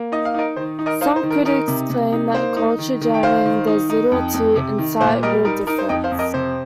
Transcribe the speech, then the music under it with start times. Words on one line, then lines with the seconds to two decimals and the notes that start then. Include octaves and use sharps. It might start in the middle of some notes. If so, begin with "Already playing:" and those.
Some critics claim that culture jamming does little to incite real difference.
Already playing: A#3
0.12 D#4 D#5
0.25 F5
0.34 D#4 A#4 D#5
0.56 D#3 C5
0.79 D#4
0.86 A#4 D#5
1.01 D#4 C5 F5
1.16 C5
1.23 D#3
1.31 A#4
1.45 D#4 A#4
1.68 C3
1.90 C3
2.13 D#4
2.34 A#3 C5
2.57 D#4
2.79 D#3
3.01 D#3
3.14 G5
3.23 D#3 C5 F5
3.46 D#3
3.67 D#4
3.90 D#4
4.12 F2
4.34 F2
4.56 C3
4.78 D#3
5.00 A#2 C5 F5
5.23 G3 A#4 D#5
5.45 D#4 A#4
5.67 D#4 A#4
5.78 C5
5.89 F2 D#5 G5
6.04 C5 F5
6.12 F2
6.19 A#4 D#5
6.34 C3 C5